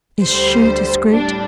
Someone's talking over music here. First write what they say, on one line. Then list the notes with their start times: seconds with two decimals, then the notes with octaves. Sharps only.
"Is she discreet?"
0.25 D2 D3 G3 C5
1.11 A2 G3 D4